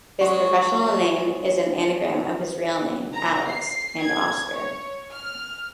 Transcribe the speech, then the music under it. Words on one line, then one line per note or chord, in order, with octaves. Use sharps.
His professional name is an anagram of his real name, 'Alex', and 'Oscar'.
F#3 G#3 F#4
A#5
C7
G#6
C#5
F6